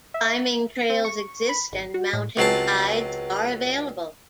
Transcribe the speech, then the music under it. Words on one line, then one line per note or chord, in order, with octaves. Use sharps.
Climbing trails exist and mountain guides are available.
E5
C4
C#6
B5
G#1
F#4
A2
C#2 F#3 C4 A5